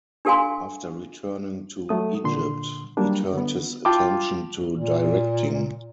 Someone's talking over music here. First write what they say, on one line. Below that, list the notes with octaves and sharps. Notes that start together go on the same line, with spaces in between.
After returning to Egypt, he turned his attention to directing.
D4 G4 A4 F5 G#5 C6
F#3 A3 D#6
A#2 D3 C6
F#3 G3 A#3 D4
D3 B3
F4 G5 A5 D6
A#2